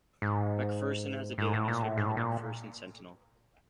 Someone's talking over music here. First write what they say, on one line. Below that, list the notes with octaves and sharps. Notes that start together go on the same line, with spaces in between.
McPherson has a daily newspaper, "The McPherson Sentinel".
G#2
G#2
A2
A#2
A2
G#2
A2
A#2